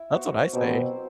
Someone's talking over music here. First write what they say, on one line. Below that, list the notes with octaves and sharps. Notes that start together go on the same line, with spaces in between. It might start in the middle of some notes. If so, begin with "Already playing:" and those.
That's what I say,
Already playing: E4 E5
B3 F#4 C5
B2 F#3 C4 G4 C5